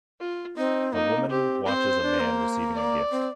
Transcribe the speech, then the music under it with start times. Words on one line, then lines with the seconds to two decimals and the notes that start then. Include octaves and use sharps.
A woman watches a man recieving a gift.
0.20 F4
0.57 C4 D#4
0.93 A#3 D#4
1.29 C4 G4
1.65 C4 C5
2.02 D4
2.20 A#3
2.74 D5
3.11 C4